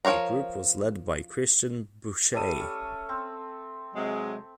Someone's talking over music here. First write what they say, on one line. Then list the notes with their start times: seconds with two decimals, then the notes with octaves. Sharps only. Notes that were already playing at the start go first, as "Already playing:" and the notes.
The group was led by Christian Bouchet.
0.05 F3 A#4 C#5 F5 A#5
2.34 G3 A3 D#6
2.61 C#4
3.09 C4
3.94 C3 F#3 G#3